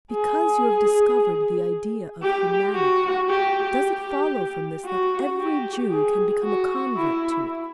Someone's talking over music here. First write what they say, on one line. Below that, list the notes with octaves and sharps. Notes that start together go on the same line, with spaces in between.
Because you have discovered the idea of humanity, does it follow from this that every Jew can become a convert to it?
G#4
G4
F#4
G4
G4
F#4
G4
G#4
F#4
E4